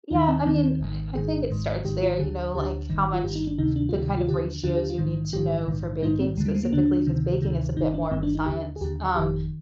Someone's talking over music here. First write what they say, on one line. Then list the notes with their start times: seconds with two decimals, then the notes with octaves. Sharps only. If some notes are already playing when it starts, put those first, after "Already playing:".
Yeah, I mean, I I think it starts there, you know, like how much f the kind of ratios you need to know for baking, specifically, 'cause baking is a bit more of a science, um,
0.11 D#2 D#3 D#4
0.28 C4
0.46 D#2 D#3 C4
0.63 C4
0.80 G#1 G#2 D#3
1.15 G#1 G#2 D#3 G#4
1.50 G#1 G#2 D#3
1.84 G#1 G#2 D#3 G4
2.02 F4
2.19 D2 D3 G#4
2.54 D2 D3 G4
2.89 G#1 G2 D#3
3.13 F4
3.24 G#1 G2 D#3 G4
3.35 D#4
3.47 D4
3.58 D2 C3 D#3 D#4
3.76 D4
3.89 F4
3.93 D2 C3 D#3 G4
4.17 F4
4.28 D#2 D3 G4
4.63 D#2 D3 F4
4.77 G4
4.90 F4
4.98 A#1 G#2 D#3
5.33 A#1 G#2 D#3 G4
5.68 A#1 G#2 D#3
6.02 A#1 G#2 D#3 D#4
6.19 C4
6.37 D#2 G#3
6.40 D3
6.46 G3
6.55 G#3
6.63 A#3
6.72 D#2 D3 D4
7.06 D2 C3 D#3
7.42 D2 C3 D#3
7.77 G1 G2 D#3 D#4
7.94 D4
8.11 G1 G2 D#3 C4
8.23 D4
8.35 D#4
8.46 D#2 D3 G4
8.76 G#4
8.81 D#2 G4
8.84 D3
9.16 G1 F2 D#3 G4